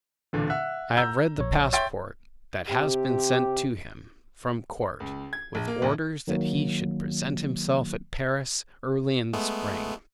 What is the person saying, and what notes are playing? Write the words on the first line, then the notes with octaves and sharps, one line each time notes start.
I have read the passport that has been sent to him from court, with orders that he should present himself at Paris early in the spring.
D1 A#2 D3 E3
E5 F#5 F#6
A#5 E6 G6
A#1 C#5
C#5 E5 G5 C6 A6
C3 C4 G4
C#2
G#6
A#1
A#3
A#1
D#3 F#3 A#3
G#3 A3 B3